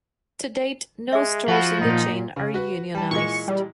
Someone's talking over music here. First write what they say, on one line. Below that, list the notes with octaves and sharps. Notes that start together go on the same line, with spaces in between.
To date, no stores in the chain are unionized.
G#3 G#4 E5
F3 F#4 F5 F#5 B5
A#2 D#4
C#3
F#4 B4
G3 A5
A#2 E3 G#3 C#6
G3